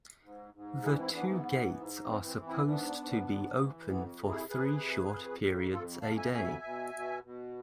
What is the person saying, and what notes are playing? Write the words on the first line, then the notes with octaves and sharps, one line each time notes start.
The two gates are supposed to be open for three short periods a day.
G#2
G#2
E3 E4 G#4
D4
C4 E4
G#2 B3 D4
B3
E3
G#2
E3 C4
C4
E3
C4 E4
G#2 B3 D4
G#2
G#2
E3
F2 B3
C3
E4 G#4
C3 G#4 B4
F2
F2
F2
F2 F4 A4
F2 F5 A5
E5 G#5
B2 E5 G#5
B2
B2
B2